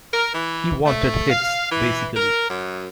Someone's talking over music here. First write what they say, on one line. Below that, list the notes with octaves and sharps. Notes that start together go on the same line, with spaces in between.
He wanted hits, basically.
A#4
E3
A3
F5
E3
A#4
F#2